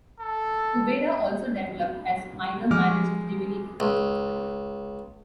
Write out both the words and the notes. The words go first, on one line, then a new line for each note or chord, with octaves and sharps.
Kubera also developed as minor marriage-divinity.
A4
F3 G#3 D6 F6
C#2